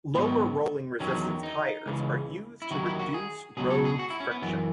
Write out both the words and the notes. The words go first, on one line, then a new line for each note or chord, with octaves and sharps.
Lower rolling-resistance tires are used to reduce road friction.
G#2 D#3 F#3 B3
E2 D#3 F#3 C#4
D#4
C#2 C#3 E3
E4
D#2 D#3 F#3 F#4
E4
F#4
G#4
C#2 B2 F#3 G#4
A4
G#4
F#4
E4
C#4
B3
F#2 E3 B3